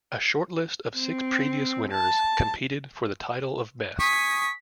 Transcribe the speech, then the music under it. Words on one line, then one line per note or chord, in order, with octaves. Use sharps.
A shortlist of six previous winners competed for the title of Best.
C4
A5
G#5 C#6 D#6 B6